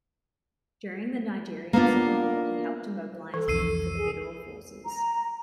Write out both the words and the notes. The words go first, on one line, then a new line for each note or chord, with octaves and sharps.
During the Nigerian civil war he helped to mobilise men for the Federal forces.
A#3 B3 D4 F4
E3 A4
C2 F2 E6 C7 D#7
G#4
A#5